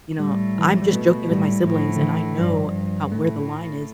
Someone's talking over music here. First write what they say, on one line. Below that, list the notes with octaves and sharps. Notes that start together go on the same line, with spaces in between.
You know? "I'm just joking with my siblings, and I know how where the line is."
A2 G3
E3
F3
G3
B2 A3
A2 G3
A2 F3
D3
E3
G2 F3
A2 A3